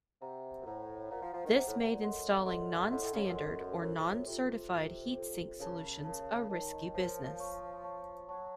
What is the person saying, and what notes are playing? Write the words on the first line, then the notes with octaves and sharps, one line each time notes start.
This made installing non-standard or non-certified heatsink solutions a risky business.
C3 C5 F#5 A#5
F#2
A2 C5 F#5 A#5
A#2 C5 F#5 A#5
F3
F3
D#3
C3 C5 F#5 A#5
A2
A#2
A#2
F#2 A4 D#5 F#5 C6
A4 D#5 F#5 C6
A2 A4 D#5 F#5 C6
A2
C#3
F#2
A4 D#5 F#5 C6
F#2 F4 A4 C5
A2
F#2
C3 F4 A4 C5
F4 A4 C5
F4 A4 C5
C#3 A#4 C#5 A5
A#4 C#5 A5
D#3 A#4 C#5 A5
F3 A#4 C#5 A5
C#5 A5 C#6
C#5 A5 C#6
F#3 C#5 A5 C#6